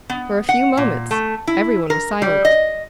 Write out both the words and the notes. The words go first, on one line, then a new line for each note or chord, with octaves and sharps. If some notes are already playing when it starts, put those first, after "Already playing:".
For a few moments every one was silent.
B3
F#5
A#2
A3
E4
A#4
G3
D#5